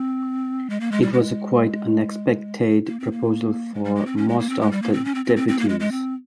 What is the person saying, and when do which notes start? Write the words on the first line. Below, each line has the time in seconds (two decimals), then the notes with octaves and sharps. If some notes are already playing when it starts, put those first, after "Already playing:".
It was a quite unexpected proposal for most of the deputies.
Already playing: C4
0.70 G#3
0.80 A#3
0.92 G#3
1.02 G3
1.13 G#3
2.87 A#3
3.00 C4
3.12 A#3
3.74 G#3
3.84 G3
3.95 G#3
4.06 C4
4.17 C#4
4.29 G#3
4.39 A#3
4.49 C4
4.61 G#3
4.72 G3
4.82 A#3
4.93 C4
5.05 C#4
5.15 C4
5.25 C4
5.36 C4
5.48 C4
5.59 A#3
5.69 G#3
5.80 G#3
5.91 C4